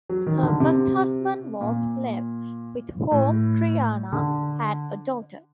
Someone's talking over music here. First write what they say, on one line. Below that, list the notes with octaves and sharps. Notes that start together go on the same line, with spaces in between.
Her first husband was Lev, with whom Triana had a daughter.
F#3
D#3
D3
C3
A#2
A2
D3